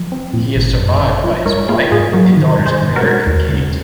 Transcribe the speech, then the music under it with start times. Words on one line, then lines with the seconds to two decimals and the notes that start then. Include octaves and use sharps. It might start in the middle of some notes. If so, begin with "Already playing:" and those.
He is survived by his wife, and daughters Clare and Kate.
Already playing: F3
0.12 C4
0.33 A#2
0.56 G#1
0.79 F#2
1.02 G#1
1.24 F3
1.46 G#2 A#4 C#5
1.69 A#3 F4 G#4
1.91 G#2 F4 G#4
2.13 F#3 F#4 A#4
2.37 D#3
2.59 G#2
2.66 G#4 C5
2.81 G#2
2.96 F#4 A#4
3.03 G#3
3.27 D#2
3.48 C#3